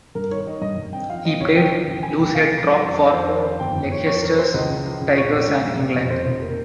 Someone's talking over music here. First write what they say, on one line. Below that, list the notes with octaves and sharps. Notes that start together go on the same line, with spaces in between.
He played loosehead prop for Leicester Tigers and England.
G2 A#4
D#3 C#5
D#3 D#5
G2 D#5
G2
C4 G5
F3 F5
C4 D#5
C#2 C#5
D#3 G5
D#3
C#2
A#3 G#5
C2 G5
C3 F5
F3
G3
F2
D#3 D#5
F2 C5
D#3 A#4
F2 C5
G1 G5
G1 G5
F3 C#5
F2 C#5
F3 A#4
F3 C5
C#2 D#5
C#3
F3
C#3
A#1 C#5
A#1
G#2
A#1
C3
F2
F1 C5
F1
A#3